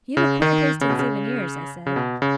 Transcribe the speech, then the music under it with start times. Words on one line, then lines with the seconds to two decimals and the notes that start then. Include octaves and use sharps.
'You've a queer taste in souvenirs,' I said.
0.17 C#3
0.42 D#3
0.81 C#3
0.90 B2
0.99 C#3
1.86 C#3
1.96 B2
2.22 C#3